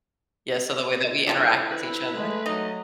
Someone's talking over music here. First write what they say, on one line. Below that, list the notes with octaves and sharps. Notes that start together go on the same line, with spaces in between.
Yeah, so the way that we interact with each other.
D3 F3 G3 E4
B4
G#3 A3
F#3 D#4 D#5